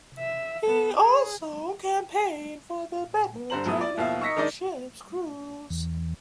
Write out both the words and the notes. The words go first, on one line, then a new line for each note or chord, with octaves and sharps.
He also campaigned for the better training of ships crews.
E5
B3
G#4
G2 D3 C5 A#5 F#7
A#1 F#3 A3 B3 E5 D#6
D5
D#2 B2 F3 E5 F5
C#6 E6 A#6 B6 C#7
D#3 G#3 D4 D#4 D5 D#5
E2